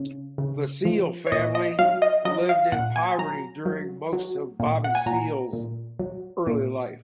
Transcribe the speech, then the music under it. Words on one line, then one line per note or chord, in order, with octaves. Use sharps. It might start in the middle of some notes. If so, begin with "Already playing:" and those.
The Seale family lived in poverty during most of Bobby Seale's early life.
Already playing: C#3
C#3
F3
C#5
A#2 D#5
D#5
F#3 F5
D#5
F#3 D#5
F5
A#2 F#5
G#5
F#3 A#5
F#3
F#3
A#2
F#5
G#5
A#2 A#5
A#2
F#3
A#2